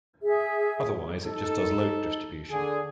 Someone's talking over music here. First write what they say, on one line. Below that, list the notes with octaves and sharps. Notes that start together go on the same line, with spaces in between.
Otherwise it just does load distribution.
G#4 E5
D#4 A4
D3 G#4